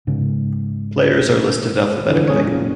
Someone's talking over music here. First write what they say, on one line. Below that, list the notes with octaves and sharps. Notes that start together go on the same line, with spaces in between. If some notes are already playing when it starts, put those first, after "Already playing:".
Players are listed alphabetically.
G#2 C#3
F2 D3 E3
E1 C#4 G#4 C#5
F#1 A#2
F#1